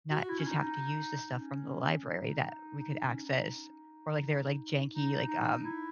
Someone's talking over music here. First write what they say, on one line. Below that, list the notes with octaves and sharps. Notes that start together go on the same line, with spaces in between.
not just have to use the stuff from the library that we could access. Or, like, their, like, janky, like, um,
F#4
E4
C#4
D#4
C#4
D#4
D#4
D#4
C#4
D#4
D#4
D#4
E4